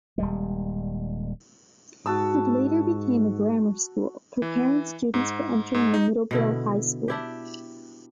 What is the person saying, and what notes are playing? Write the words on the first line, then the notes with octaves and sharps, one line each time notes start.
It later became a grammar school, preparing students for entering the Middleborough High School.
D#1 G3 G#3
G#2 F#4 A5 E6
E3
G#2
G#2
D#4
B2 D3 E4
D4 E4 G4